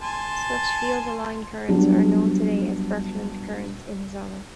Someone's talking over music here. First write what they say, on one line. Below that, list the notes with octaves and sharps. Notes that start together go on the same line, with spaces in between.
Such field-aligned currents are known today as Birkeland currents in his honour.
G#5 A5 C6
F#3 G3 B3 D4 G4